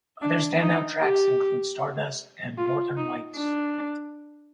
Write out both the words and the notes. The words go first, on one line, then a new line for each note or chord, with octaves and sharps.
Other standout tracks include "Stardust" and "Northern Lights".
D4
D#4
G4
F4
D#4
D4